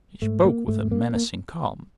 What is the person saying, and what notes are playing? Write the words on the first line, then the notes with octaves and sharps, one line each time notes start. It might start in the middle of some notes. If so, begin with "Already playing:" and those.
He spoke with a menacing calm.
G#2 A3
A#3
G#2 A3
A#3
A#3